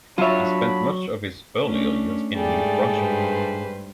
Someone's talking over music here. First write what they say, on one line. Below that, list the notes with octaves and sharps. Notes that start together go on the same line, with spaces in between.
He spent much of his earlier years in New Brunswick.
F#3 D4 F4 C#5 E5 B5
A3 C#4 D4
G#2 G3 A3 G#4 D5
G2 B4 C5